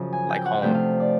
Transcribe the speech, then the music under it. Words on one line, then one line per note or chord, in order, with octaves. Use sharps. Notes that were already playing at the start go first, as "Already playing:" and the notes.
like home
Already playing: F#2 C#3 F3
G#5
G5
F#5
C3 F3 A3 D4 G5
F5
D5